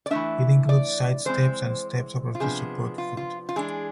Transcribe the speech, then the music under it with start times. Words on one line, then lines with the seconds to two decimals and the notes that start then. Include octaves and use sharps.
It includes side steps and steps across the support foot.
0.06 D5
0.11 E3 A3 D4 E5
0.69 D5
1.25 E3 G#3 C4 C5
2.35 F4
2.40 C3 F3 B3 D4 G#4
2.98 F4
3.17 F4
3.49 F4
3.56 E3 G#3 D4 G#4